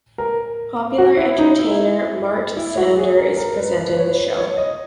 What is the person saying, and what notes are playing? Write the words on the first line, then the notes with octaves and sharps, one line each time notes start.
Popular entertainer Mart Sander is presenting the show.
A#4
F#4
E4
D#4
E4
E4
F#4
G#4
A#4
A#4
B4
B4
B4
C#5
B4
C#5
D#5